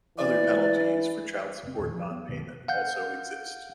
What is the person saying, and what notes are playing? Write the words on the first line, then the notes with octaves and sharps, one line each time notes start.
Other penalties for child-support non-payment also exist.
E3 D5
F1 C4
E2 A#2 D#3
F3
B3
F#1 C#2 B2 D#3
F5 F#5 G6